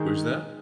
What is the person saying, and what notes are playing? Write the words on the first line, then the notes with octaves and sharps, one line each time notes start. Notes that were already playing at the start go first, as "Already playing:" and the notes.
Who's that?
Already playing: D#3 G#3 D#4 G#4